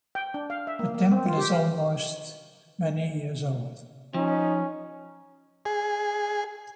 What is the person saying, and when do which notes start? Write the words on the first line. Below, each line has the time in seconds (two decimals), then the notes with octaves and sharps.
The temple is almost many years old.
0.15 G5
0.34 D4
0.50 F5
0.67 E5
0.79 A#3
0.94 A#3
1.12 C4
1.26 F4
1.37 G4
1.51 F5
4.14 F3 C#4 D#4
5.65 G#4